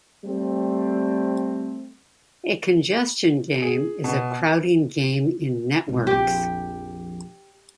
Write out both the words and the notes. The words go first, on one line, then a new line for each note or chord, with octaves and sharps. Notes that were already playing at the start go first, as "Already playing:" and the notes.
A congestion game is a crowding game in networks.
G3 A3 C4
G#4
B2
G#1 B2
A#1 F2 G4